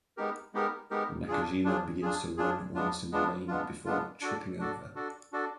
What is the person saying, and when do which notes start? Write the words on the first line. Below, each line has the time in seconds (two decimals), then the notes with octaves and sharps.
Nakajima begins to run whilst in the rain before tripping over.
0.17 G#3 B3 D#4 G4 A#4
0.54 G#3 B3 D#4 G4 A#4
0.91 G#3 B3 D#4 G4 A#4
1.28 D4 F4 G#4
1.64 D4 F4 G#4
2.02 D4 F4 G#4
2.37 D4 F4 G#4
2.75 G#3 B3 D4 F4
3.12 G#3 B3 D4 F4
3.48 G#3 B3 D4 F4
3.85 G#3 B3 D4 F4
4.21 D4 F#4 A4 D5
4.58 D4 F#4 A4 D5
4.95 D4 F#4 A4 D5
5.32 D4 F#4 A4 D5